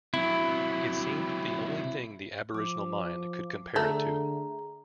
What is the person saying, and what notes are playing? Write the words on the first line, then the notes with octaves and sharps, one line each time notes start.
It seemed the only thing the aboriginal mind could compare it to.
C3 F#3 E4
F3 D6
D3 A3 G#4 A#5